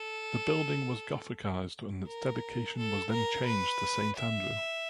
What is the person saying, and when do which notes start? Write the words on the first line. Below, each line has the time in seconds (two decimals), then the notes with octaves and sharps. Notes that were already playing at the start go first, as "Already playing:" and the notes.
The building was Gothicised and its dedication was then changed to Saint Andrew.
Already playing: A4
2.07 A#4
2.77 A4
3.12 A#4
3.46 B4
4.17 E5